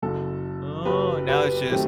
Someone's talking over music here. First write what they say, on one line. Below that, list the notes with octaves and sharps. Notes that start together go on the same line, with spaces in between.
Oh, and now it's just
F#1 F#2 F#3 A4
F#1 F#2 F#3 G4 B4
G4 B4
D#3 F#3 A3 C4 G4